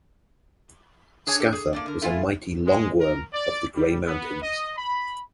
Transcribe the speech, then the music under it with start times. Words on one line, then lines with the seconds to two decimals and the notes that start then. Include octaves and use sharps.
Scatha was a mighty "long-worm" of the Grey Mountains.
1.27 D4 G#4 C#5 G#5
1.40 G4 A4
1.53 G#4
1.73 A#3 D4 D5
1.86 D3 A#4
2.02 A3 E4 F4 F5 F#5 G#5
2.67 G#3
3.00 A#4
3.33 D5
3.75 G3
4.06 B3
4.42 D#5
4.77 B5